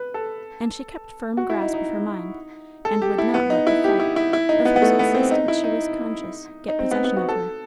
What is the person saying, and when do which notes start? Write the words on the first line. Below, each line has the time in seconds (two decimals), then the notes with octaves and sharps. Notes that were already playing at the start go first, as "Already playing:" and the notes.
And she kept firm grasp of her mind, and would not let the fright, of whose existence she was conscious, get possession of her.
Already playing: B4
0.14 A4
1.37 F#4
1.50 E4
1.62 D#4
1.74 D#4
2.85 A4
3.02 G4
3.18 E4
3.34 B3
3.50 D#4
3.67 E4
3.84 G4
4.00 E4
4.16 E4
4.33 E4
4.49 D#4
4.65 B3
4.76 B3
4.82 A3
4.99 B3
5.14 C4
5.31 D#4
5.48 E4
5.64 D#4
6.68 D#4
6.79 C4
6.91 B3
7.04 B3
7.17 F#4
7.29 A4